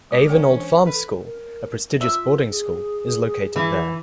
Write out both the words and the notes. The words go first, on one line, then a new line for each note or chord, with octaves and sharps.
Avon Old Farms School, a prestigious boarding school, is located there.
G#3 G4 D6
C#4 A#4 F#5 G5
E3 D4
A4 B4
A#4
F4 E5
G#4
E3